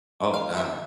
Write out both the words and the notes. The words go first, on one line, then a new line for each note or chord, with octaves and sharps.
Oh god.
F5
E5